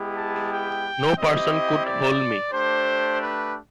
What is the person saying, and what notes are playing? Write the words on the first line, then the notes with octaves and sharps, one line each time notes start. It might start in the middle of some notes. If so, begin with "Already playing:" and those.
No person could hold me.
Already playing: G#3 B3 E4 G4
A5
G5
C4 E4 G4 D#5
D5
A3 D4 G4 C5
B4